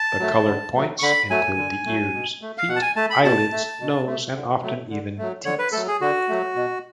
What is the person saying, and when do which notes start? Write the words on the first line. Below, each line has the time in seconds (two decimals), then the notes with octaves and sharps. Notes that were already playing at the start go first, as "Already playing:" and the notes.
The coloured points include the ears, feet, eyelids, nose and often even teats.
Already playing: A5
0.19 F#3 A3
0.48 D3
0.75 F#3 A3
0.99 C#6
1.02 D3 B5
1.30 F#3 A3 G#5
1.57 D3
1.86 F#3 A3
2.14 B2
2.42 A3
2.58 F5
2.68 B2 F#5
2.76 A5
2.82 G#5
2.96 A3 A5
3.10 B5
3.23 B2 A5
3.52 A3
3.80 B2
4.06 A3
4.35 D3
4.62 F#3 A3
4.90 D3
5.18 F#3 A3
5.45 D3 C#5
5.59 B4
5.72 F#3 A3 A4
5.87 G#4
6.01 D3 F#4
6.29 F#3 A3
6.56 B2